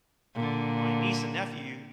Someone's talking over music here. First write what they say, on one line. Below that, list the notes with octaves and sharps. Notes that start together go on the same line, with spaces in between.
my niece and nephew,
A#2 D3